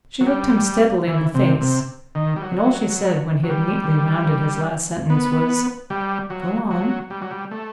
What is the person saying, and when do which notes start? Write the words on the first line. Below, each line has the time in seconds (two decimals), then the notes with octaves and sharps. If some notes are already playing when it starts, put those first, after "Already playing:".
She looked him steadily in the face; and all she said, when he had neatly rounded his last sentence, was--"Go on."
0.21 F#3
0.27 G3
1.07 E3
1.34 C3
1.61 C3
2.15 D#3
2.36 G3
2.42 F#3
3.43 F#3
3.49 G3
5.10 B3
5.90 G3
6.30 F#3
6.71 F#3
7.10 G3
7.22 F#3
7.31 G3
7.51 A3